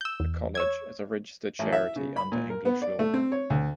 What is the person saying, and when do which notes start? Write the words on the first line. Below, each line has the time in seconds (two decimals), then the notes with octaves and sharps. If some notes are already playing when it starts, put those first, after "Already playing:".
The college is a registered charity under English law.
0.01 E6 G6
0.20 E2
0.55 C#5 E6 G#6
1.59 A1
1.73 E5
1.96 C#3
2.16 B5
2.32 A#2
2.50 A#4
2.65 B3
2.82 D5
2.99 A3
3.14 C4
3.32 C#5
3.50 D2